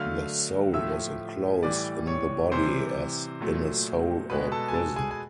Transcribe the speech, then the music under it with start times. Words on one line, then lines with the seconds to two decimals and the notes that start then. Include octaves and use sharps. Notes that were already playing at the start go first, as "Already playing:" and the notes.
The soul was enclosed in the body as in a soul or prison.
Already playing: D3 F#3 A3 F5 F6
0.73 A2 F3 A3 E5 E6
1.62 A2 E3 G3 D5 D6
2.07 C#5 C#6
2.52 C3 E3 G3 C5 C6
3.40 A#2 F#3 A3
4.30 B2 G#3 B4 B5
4.52 A4 A5
4.68 G#5
4.74 A4 A5
4.96 G#4 G#5
5.11 G#5